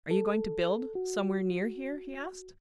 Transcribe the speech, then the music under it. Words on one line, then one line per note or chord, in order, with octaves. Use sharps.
"Are you going to build somewhere near here?" he asked.
A4
F#4